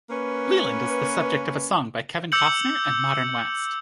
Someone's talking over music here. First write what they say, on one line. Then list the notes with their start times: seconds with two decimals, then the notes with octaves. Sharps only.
Leland is the subject of a song by Kevin Costner and Modern West.
0.09 A#3 C#4 B4
2.32 D6 E6 G6 C#7 F#7